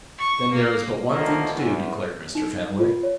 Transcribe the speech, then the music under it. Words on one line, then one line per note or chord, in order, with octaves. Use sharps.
"Then there is but one thing to do," declared Mr. Fenwick.
C#6
A#3
B2 D3 D#3 F3 A3 A#3
E2
D#4
F4
C#5